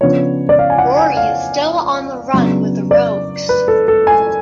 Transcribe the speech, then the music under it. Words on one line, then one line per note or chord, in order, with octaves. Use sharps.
Rory is still on the run with The Rogues.
C#3 F3 B3 D4 C#5
D5
F5
G#5
F#5
G#5
F5
C#3 F#3 B3 D4
D5
B4
A4
A4
G#5